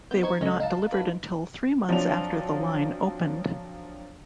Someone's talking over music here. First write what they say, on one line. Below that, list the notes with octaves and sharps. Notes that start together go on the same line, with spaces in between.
They were not delivered until three months after the line opened.
B3 G6
D#4 C5 C#6 G#6
C#2 C#4 A4 D#5
F#3 D#4 F5 A5
F#4 B4
F3 F#3 C4 D4 F7